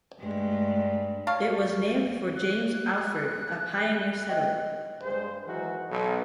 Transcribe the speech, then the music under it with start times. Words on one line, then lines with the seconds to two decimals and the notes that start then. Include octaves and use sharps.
It was named for James Alford, a pioneer settler.
0.20 G2 G#3 A3
1.27 D4 C#5 F5
2.36 F#6
4.29 D#5 G5
5.02 G2 G#3 C5
5.45 D#3 E3 F#3 G#3 F#4
5.89 B1